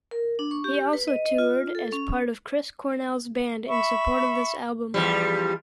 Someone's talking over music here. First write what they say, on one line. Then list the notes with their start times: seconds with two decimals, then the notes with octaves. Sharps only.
He also toured as part of Chris Cornell's band in support of this album.
0.11 A#4
0.39 D4
0.51 C#6
0.64 G4
0.93 B4
1.08 D#5
1.25 D#5
1.38 F4
1.75 A4
1.92 C#4
3.68 E5 B5 C#6
4.94 E2 F3 G3